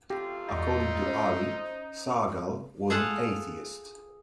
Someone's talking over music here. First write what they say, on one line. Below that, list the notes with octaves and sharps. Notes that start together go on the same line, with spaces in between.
According to Ali, Sahgal was an atheist.
F#2 A3 F4 G4
E2 D#4 D5 A6
C#4 C5
F4 G#4 A4 F5 F#5